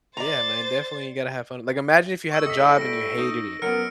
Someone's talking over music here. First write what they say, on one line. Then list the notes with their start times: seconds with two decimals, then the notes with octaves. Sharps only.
Yeah, man, definitely you gotta have fun like, imagine if you had a job and you hated it,
0.17 C5 D5 A#5 A6
2.32 C#6 E6
2.46 A2 D#5 B6 C#7
2.78 G3 A#6 D7
3.18 D#4
3.62 F#2 F#3 B3 F6 C#7 D7